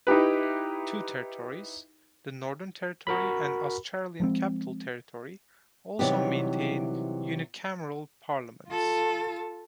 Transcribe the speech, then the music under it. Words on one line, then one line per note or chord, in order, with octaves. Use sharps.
Two territories, the Northern Territory and Australian Capital Territory, also maintain unicameral parliaments.
D#4 E4 G4 B4
F#4 A#4 B5
F3 G#3 C4
C3 E3 F#3 G3 D#4 G4
F4 A4